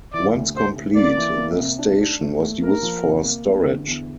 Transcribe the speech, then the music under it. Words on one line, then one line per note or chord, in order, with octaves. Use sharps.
Once complete, the station was used for storage.
E3 D5
D2
D2 C5
D2
A#3 D5
E3
A#3
C3
D4
D4
A3
A3
A#3 A#4
F3
C3
A#3
E2
D3
E2